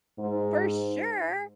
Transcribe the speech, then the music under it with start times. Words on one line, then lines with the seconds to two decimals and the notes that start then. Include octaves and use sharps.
For sure!
0.19 G#2